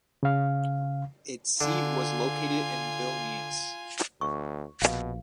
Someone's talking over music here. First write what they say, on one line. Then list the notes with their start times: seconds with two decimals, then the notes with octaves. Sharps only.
Its seat was located in Vilnius.
0.23 C#3 F5
1.61 D3 F4 G#5
4.21 D2 C#6
4.82 A#1 B2 F5